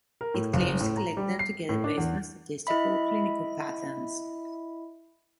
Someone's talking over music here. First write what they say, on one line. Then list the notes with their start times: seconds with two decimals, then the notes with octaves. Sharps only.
It claims to collect them together based on statistical or clinical patterns.
0.21 A#4
0.34 A2
0.53 F#1
0.81 A2
0.97 A#5
1.17 G3
1.39 C7
1.69 A2
1.84 D4
1.98 E2
2.67 E4 D#5 E5 B5